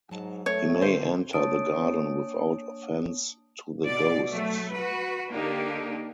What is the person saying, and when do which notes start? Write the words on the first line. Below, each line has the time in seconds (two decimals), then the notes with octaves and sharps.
He may enter the garden without offense to the ghosts.
0.11 G#2 F#3 A5
0.46 A3 C#5
0.82 D3 C5
1.33 A#3 D4 C#5 A5 D#6 D7
3.86 B2 D5
4.30 F#3 A3
4.74 F#4 B4
5.33 D3 A#3 D4 D#4 G4